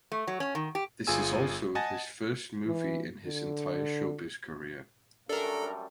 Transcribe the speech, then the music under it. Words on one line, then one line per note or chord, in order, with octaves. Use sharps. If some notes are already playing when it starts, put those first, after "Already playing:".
This is also his first movie in his entire showbiz career.
A3
F#3
C#4
D#3
G4
G1 F4 G#4 G#5 E6
D#5 F#5 G#5 A5 A6 A#6
E3
D3
F#2 G3 A3 D4 A4 A#4